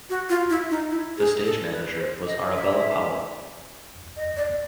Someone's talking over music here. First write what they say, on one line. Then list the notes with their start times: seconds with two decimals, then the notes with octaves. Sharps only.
The Stage Manager was Arabella Powell.
0.10 F#4
0.29 F4
0.50 E4
0.70 D#4
0.91 E4
1.18 G#4
1.44 A4
1.72 B4
1.99 C5
2.26 D#5
2.53 E5
4.16 D#5
4.36 D5